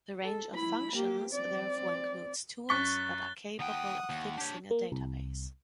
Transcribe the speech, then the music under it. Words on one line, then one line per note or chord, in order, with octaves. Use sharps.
The range of functions therefore includes tools that are capable of fixing a database.
A4
E4 B5
A#3 G4
C4 D5
F#2 C#6 F#6 A6 B6 G7
D#2 F#5 G5 D#6
D#2
D4 G4 C#5
A#3
C2